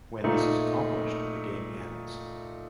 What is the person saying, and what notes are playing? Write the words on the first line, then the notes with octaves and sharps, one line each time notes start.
When this is accomplished, the game ends.
A#2 A3 D#4